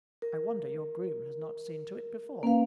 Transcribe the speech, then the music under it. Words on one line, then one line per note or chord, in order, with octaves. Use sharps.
I wonder your groom has not seen to it before.
A#4
A#3 C#4 B4 F5